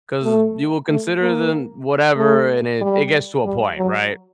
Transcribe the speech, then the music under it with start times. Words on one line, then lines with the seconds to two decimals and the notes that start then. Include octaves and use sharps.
'cause you will consider then" whatever, and it it gets to a point, right?
0.24 A3
0.88 A3
1.20 A#3
2.16 A3
2.81 G3
3.44 G3
3.77 F#3